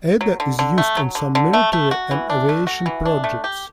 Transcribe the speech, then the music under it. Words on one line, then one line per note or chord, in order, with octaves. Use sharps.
Ada is used in some military and aviation projects.
F#3
D3
D3
A3
F#3
D3
D3
A3
A3
F#4
E3
D4
A3
F#4
E3
D4
A3
G4